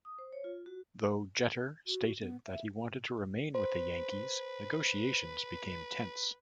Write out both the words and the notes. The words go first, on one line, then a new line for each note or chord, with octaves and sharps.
Though Jeter stated that he wanted to remain with the Yankees, negotiations became tense.
D#6
C5
C#5
F4
F#4
F#4
B3
E5
B4 C5